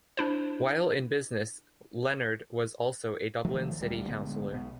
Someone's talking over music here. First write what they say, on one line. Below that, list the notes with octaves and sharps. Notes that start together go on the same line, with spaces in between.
While in business, Leonard was also a Dublin City Councillor.
D4 E4 C5
D#3 F3 F#3 A3
D1 D2 G3
A#1 D3 G#3 B3
B1 B2 B3